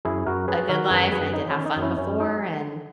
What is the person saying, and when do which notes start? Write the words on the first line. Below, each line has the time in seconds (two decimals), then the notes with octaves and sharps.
a good life, and I did have fun before. And
0.05 F#2 E4 G#4
0.27 F#2 F#4 A#4
0.48 F#3 G#4 B4
0.69 D#3 F#4 A#4
0.91 F#2 G#4 B4
1.12 F#2 G#4 B4
1.33 F#3 D#4
1.50 C#4
1.56 D#3
1.66 D#4
1.77 F#2
1.82 C#4 E4
1.98 F#2 C#4
2.20 F#3 D#4